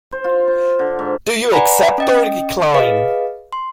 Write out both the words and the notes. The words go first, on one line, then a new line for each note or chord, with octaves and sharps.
Do you accept or decline?
C5
F4
C5
D3
G#2
B4 D5 F#5 G#5 A#5 B5
C#4 D#5 G5
G#4 B4 D#5 F5
C6